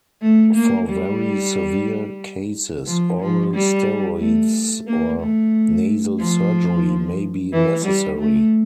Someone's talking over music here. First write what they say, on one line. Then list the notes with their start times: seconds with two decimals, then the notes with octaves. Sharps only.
For very severe cases, oral steroids or nasal surgery may be necessary.
0.22 A3
0.54 A#3
0.89 G3
2.87 F3
3.20 F3
3.54 G3
4.20 A3
4.87 A#3
5.20 A3
6.19 F3
7.52 E3
7.85 G3
8.18 A3